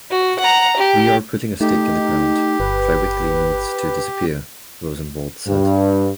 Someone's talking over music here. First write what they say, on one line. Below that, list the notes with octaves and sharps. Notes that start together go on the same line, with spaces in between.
"We are putting a stake in the ground: Triweekly needs to disappear," Rosenwald said.
F#4
F#5 A#5
G4
A3 D#4 G4
G1 B4
G2